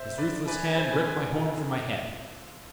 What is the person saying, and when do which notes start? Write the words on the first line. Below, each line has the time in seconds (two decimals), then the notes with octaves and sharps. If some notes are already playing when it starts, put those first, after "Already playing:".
His ruthless hand rent my horn from my head.
Already playing: C5 E5
0.18 B4 D5
0.48 B4 D5 G#5
0.76 A4 C5
0.92 G#4 B4
1.06 G#4 B4
1.36 F4 A4